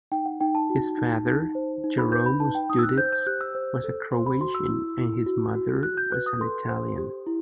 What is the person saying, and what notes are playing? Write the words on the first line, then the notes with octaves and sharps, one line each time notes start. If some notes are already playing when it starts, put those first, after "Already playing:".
His father, Jeromos Dudits, was a Croatian and his mother was an Italian.
D#4 G5
F#5
D#4 G5
A5
F#4
D#4
D#4
C5
D#4
B5
B4 G6
B5
D#4 A5
G5
D#4 D#6
E6
F#6
C5 G6
G6
G4 F#6
E6
C5
A4
C5 C6
B5
F#4 C6
E6
E4
E4
F#4
F#4
F#4 F#6
G6
B4 F#6
D#6
A4 C6
C5
G4
E4